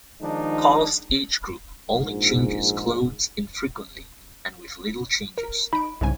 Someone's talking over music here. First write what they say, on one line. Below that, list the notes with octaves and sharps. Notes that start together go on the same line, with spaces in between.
Carl's age group only changes clothes infrequently and with little changes.
D#3 F3 G#3 D4 D#4
A#1 G#2
A#4
D#4 B5 D7
C2 G#2 C#3 G#5